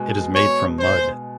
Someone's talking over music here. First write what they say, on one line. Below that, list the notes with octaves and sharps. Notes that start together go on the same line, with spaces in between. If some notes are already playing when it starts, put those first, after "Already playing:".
It is made from mud.
Already playing: B2 G#3
C#5
C5